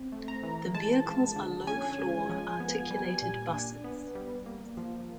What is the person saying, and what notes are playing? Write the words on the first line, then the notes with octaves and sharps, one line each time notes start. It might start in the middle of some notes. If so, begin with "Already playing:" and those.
The vehicles are low-floor, articulated buses.
Already playing: C4
A3
A#5
E3
G#3 A5
F3
D3
C#4 G#5
G#3
F3
B3
G3
A#2
D4
B3
G3
A#3
F3